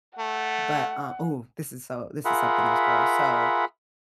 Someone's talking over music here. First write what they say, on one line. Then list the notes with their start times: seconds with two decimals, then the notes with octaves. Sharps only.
But, uh ooh, this is so this is something else, girl. So,
0.19 A3 F#5
2.25 F4 G#4 A#4 E5 F#5 B5